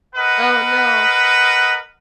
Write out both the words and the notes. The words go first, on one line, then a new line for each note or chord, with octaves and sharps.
Oh, no.
A#4 B4 D#5 F#5